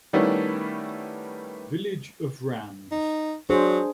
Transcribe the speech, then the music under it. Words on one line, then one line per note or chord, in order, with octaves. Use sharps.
Village of Rams.
D#3 G3 A3 B3 C#4 E4
D#4
F#3 D4 G#4 C5